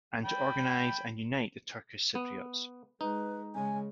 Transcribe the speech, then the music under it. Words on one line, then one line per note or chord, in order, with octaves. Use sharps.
And to organise and unite the Turkish Cypriots.
G5 B5
B3
G#3 D#4 B4
C#3 G#3 G#5